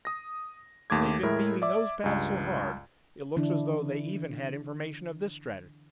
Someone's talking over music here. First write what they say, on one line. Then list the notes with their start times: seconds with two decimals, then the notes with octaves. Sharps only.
But they've been beaming those paths so hard, it looks as though they even had information of this strategy.
0.05 D#6 A#6
0.90 D#2 A3 D6 G#6
1.23 A2 G#3 E4 A#4
1.62 D5 E5 D6
2.04 C#2 G2
3.36 D3 E3 D4 E4